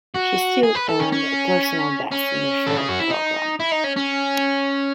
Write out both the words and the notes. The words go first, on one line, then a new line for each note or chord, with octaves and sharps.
She still earned a personal best in the short program.
F#4
G#4
B4
A4
C#4
C#4
C#4
A4
G#4
F#4
E4
D#4
E4
D#4
C#4
C#4